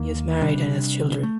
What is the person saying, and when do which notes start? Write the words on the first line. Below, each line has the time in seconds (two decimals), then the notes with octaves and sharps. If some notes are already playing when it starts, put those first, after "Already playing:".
He is married and has children.
Already playing: D#2 D#3 A#3
0.41 C3 G3 D4
1.23 A3